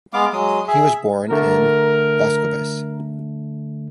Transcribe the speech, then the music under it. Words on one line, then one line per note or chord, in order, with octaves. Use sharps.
He was born in Boskovice.
G#3 B3 F5 D6
F#3 G#3 D#6
G#4 E5
D3 A3 A#4